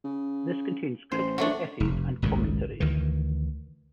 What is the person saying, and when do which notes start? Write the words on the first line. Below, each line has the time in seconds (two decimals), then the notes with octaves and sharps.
This contains critical essays and commentaries.
0.04 C#3
1.12 A1 C5
1.38 F#3 A3 D4
1.80 F1
2.22 G#1 C#2 F#2 A2
2.80 D2 D#3 E3